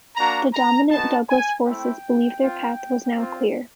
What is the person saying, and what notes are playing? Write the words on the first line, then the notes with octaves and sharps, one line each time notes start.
The dominant Douglas forces believed their path was now clear.
A#3 D4 F#4 A#5
A#5
B3 D#4 F#4 A5
G#5
A3 C4 E4 G5
C4 F4
C4 F4